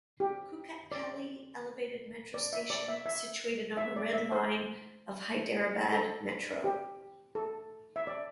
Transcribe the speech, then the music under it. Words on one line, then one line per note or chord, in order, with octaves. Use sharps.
Kukatpally elevated metro station situated on the Red Line of Hyderabad Metro.
G4
D5
D5
E5
D5
E5
E5
E5
D5
E5
C5
A4
G4
A4
E5
D5